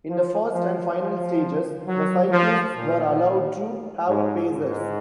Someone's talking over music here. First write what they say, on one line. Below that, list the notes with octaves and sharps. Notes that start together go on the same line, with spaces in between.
In the first and final stages, the cyclists were allowed to have pacers.
F3
F3
F3
F#3
F3
A#2
G#2
G#2